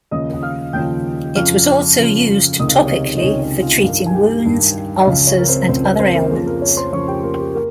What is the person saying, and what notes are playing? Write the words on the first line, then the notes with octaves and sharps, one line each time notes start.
It was also used topically for treating wounds, ulcers and other ailments.
D#2 C#3 F3 D#5 D#6
F5 F6
D#2 C#3 F3 G5 G6
F2 C#3 F3 F5 F6
F2 C#3 F3
C#2 C3 D#3 D#5 D#6
F5
G4 G5
C#5
D#4 D#5
D#4 D#5
D#5
C#2 C3 D#3 C#4 C#5
C#4 C#5
F4 F5
G2 F4 F5
D#3
G#5
G4 G5
G2 D#3
D#5
C#2 C#3 F3 F4 F5
C#4 C#5
A#4
C4 C5
C#2 C#3 F3 C4 C5
C4 C5
A#4
C4 C5
A#3 A#4
A#4
F2 C#3 F3 G#4
A#3 A#4
C#4 C#5
C5 C6
F2 C#3 F3 C#5 C#6
G4 G5
A#3 A#4
G4
A#3 A#4